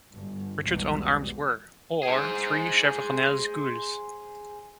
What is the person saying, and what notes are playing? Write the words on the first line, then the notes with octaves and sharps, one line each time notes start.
Richard's own arms were: Or, three chevronels gules.
G1
B1 E2 G3 G#3
G#4 C5